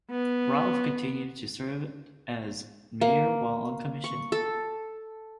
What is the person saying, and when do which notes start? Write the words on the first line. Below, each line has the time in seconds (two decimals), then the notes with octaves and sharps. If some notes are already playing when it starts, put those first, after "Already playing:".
Ralph continued to served as mayor while on the commission.
0.11 B3
3.01 A#3
4.04 C#6
4.32 A4